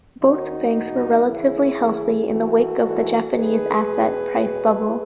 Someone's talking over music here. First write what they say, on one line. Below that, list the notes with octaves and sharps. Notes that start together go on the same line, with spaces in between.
Both banks were relatively healthy in the wake of the Japanese asset price bubble.
D#2 D#3 D#4 F#4
E2 B2
D#2 C#3 E3 E4 G#4
E2 C#3 E3
G#2 E3 F#4 A4
G#2 E3
D#2 D#3 G#4 B4
E2 B2
E2 B2